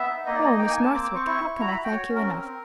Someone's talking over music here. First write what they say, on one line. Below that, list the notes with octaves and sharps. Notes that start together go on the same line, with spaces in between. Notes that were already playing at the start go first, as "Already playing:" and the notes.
Oh, Miss Northwick, how can I thank you enough?
Already playing: B3 E5
D#4
A#3 D#5
D5
D#4 D#5
A#3 G5
G#5
A#3
A5
C4 D6
D6
C4
C#6
E4 C#6
E4
F#4 A#5
B5
F#4
G5
F#4 C#5
C#4
A#4
C4
C4